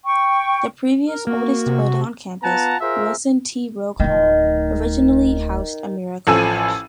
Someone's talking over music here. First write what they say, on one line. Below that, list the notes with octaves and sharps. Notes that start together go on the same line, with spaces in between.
The previous oldest building on campus, Wilson T. Hogue Hall, originally housed Almira College.
G5 C#6
A#4
A#3 F#4
C3
B3 F4 F#5 A5 A#5
F4 G#4 A#4 C5 E5
D1 D#3 A3
A1 F3 A4 G#5 E6 D#7